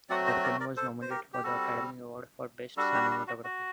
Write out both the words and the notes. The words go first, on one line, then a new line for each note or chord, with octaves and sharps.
The film was nominated for the Academy Award for Best Cinematography.
F#3 A3 C4 F#4 D5 F#5
C5 D#5
A#4 D5
A#4 D5
A4 C5
C5
G4 A#4
G4
G3 C4 F#4 A4
G3 D4 F#4 A4
G4
F#4
F#4
F#4